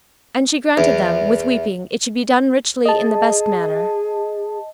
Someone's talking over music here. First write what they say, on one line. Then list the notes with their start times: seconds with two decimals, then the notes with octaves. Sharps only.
And she granted them, with weeping, it should be done richly in the best manner.
0.78 E2
2.86 G#4 D#5 A5